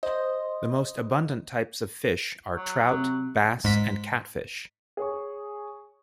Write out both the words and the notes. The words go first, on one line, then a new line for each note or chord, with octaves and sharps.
The most abundant types of fish are trout, bass and catfish.
C5 D#5
F#3
C3
G#2 B6
G#4 C#5 C#6